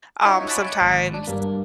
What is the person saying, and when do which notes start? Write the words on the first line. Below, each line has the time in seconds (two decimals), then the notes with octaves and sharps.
um, sometimes
0.22 C#4 D#4 F4 F#4 C#5 E5
0.47 C#5 F#5 G#5 A5 B5 D6
0.81 G#1
1.14 D4
1.27 G2 A#3